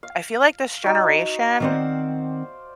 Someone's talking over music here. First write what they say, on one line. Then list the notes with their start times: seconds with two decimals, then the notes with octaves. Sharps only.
I feel like this generation-
0.03 F5
0.84 D#4 F#4
1.60 D#3 C4 C5 D5 F5 F#5